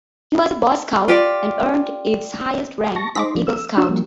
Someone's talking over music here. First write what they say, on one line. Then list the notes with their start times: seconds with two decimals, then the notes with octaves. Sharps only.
He was a Boy Scout and earned its highest rank of Eagle Scout.
1.08 F4 G4 D5
2.96 A5 C#6 A#6
3.15 D#4 C5 D6 A#6 B6
3.35 F3 D4
3.47 E6
3.77 D4 F#4 E6
3.89 F3 G3 A#3